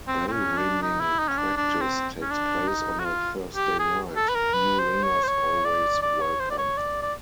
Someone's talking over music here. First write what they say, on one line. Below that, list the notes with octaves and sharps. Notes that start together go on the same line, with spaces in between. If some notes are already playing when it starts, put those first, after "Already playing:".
Bell ringing practise takes place on a Thursday night - new ringers always welcome.
C4
C4
C#4
D4
D#4
E4
D#4
C#4
D4
D4
C4
C#4
D4
D#4
F#4
F4
G4
G#4
A4
B4
A#4
B4
C5
C#5
C5
C#5
D5
D5
C#5
C5
D5
C#5
D5
D5